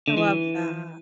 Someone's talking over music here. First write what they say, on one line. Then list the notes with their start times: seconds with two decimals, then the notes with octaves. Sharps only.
I love that.
0.08 D3
0.17 E3